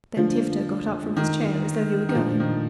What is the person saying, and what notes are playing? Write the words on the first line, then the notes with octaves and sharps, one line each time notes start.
Then Tifto got up from his chair, as though he were going.
D3 F3 A3 D4 F4
D#3
D#3
A#2 F3 A3 D4
D#3